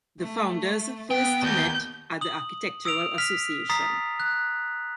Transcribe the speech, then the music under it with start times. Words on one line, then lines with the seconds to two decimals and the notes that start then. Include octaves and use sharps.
The founders first met at the Architectural Association.
0.20 A3
1.11 B3 G5
1.43 D#2 G6
2.21 D#6 F#7
2.85 D#6 E6 D7 F7
3.18 F6 B6 F7
3.70 A#5 D#6 A6 B6 C7
4.20 F#6